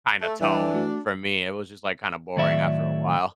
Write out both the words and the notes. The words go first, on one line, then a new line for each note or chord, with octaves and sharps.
kinda tone for me. It was just, like, kinda boring after a while.
A3
E3 G3 D4 D5 G5
A3 F#4
A2 D#3 F#3 D5 E5